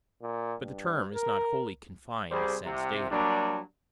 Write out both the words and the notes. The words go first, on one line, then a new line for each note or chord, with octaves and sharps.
But the term is not wholly confined to sense-data.
A#2
G2
A#4
C2 G3 G4 G#4 C5
C2 C3
F#3 G3 A#3 D4